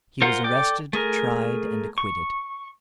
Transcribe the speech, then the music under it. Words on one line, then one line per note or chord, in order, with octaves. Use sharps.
He was arrested, tried, and acquitted.
F4 A#4 C5 F#5
A4 D5 G5 D6
A3 G#4 A#4
C#6